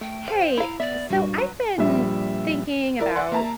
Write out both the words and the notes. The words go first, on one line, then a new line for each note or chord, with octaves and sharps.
Hey. So I've been thinking about
A3 G5
C5 F5
E4 F5 A#5
B3 D5 E5
G2 A#2 F#4
F#3 B4
A#1 G3 E5
E4 A#4 D5
D5 F#5 C6
A#3 E5 A5 A#5